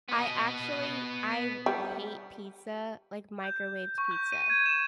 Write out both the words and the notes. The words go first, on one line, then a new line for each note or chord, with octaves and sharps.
I actually I w hate pizza, like, microwaved pizza.
B3 D#5
G3
G6
C#6
G6
D#7
G#6
E7